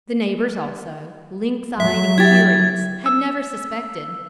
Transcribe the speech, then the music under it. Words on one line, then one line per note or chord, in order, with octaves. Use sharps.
The neighbours also, lynx-eyed and curious, had never suspected.
F#3 E5
E4 G4 G#6 A6
E6